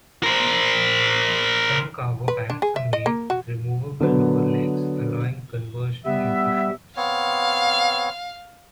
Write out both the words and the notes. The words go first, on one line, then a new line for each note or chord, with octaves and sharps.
Some cargo pants are made with removable lower legs allowing conversion into shorts.
A#4 C5
B4
D4
G#4
E5
D#5
A#3
F#4
D3 F#3 B3
G3 B3 E5
B3 C4 C#5 F5